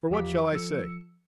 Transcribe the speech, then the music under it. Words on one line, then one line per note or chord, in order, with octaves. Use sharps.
For what shall I say?
E2 F3 G4 F5 D6 B6
F3 A4 E6 C#7